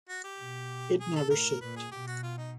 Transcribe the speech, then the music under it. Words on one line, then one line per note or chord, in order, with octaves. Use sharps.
It never shipped.
F#4
G4
B2
G#4
A4
A2 A#4
A#2 B4
G#4
B2 G4
F#4
F4
D#4